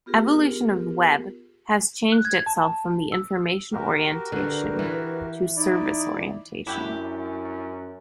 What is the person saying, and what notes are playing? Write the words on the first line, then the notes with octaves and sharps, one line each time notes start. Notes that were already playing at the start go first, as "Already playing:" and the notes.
Evolution of Web has changed itself from the information orientation to Service orientation.
B3 F4 G4 G#4 A#4
F#6
G#6
A5
E6
F#4 G4 A#4
D3 B4
E3
D#4 E4 D5
F#2 D4 E4 F#4 G4